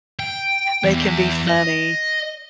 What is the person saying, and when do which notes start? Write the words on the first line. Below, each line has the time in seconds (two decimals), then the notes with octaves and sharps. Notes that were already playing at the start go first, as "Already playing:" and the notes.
They can be funny.
0.19 G5
0.84 E2
1.47 D#5